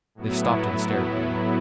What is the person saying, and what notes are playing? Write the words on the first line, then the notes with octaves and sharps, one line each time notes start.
They stopped and stared at me.
A2 F#3 B3 E4